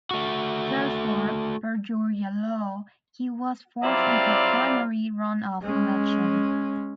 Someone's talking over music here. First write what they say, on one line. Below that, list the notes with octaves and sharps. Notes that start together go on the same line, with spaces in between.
Therefore, per Georgia law he was forced into a primary runoff election.
A3 F#4
F#3 G3 C4 E4 F4 D5
G#3 C#4